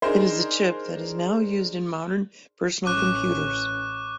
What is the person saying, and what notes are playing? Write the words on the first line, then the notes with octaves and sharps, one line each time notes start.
It is the chip that is now used in modern personal computers.
D4 D#4 G#4 A#4 C5
A1 C#4 C#6 D6 F#6